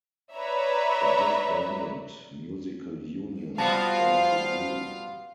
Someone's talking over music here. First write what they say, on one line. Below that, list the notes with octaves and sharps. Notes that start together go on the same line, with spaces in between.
A disbanded Musical Union joined the group.
B4 C#5 D5 E5 A#5
G3 B3 F4 F#4 C5 F5 A5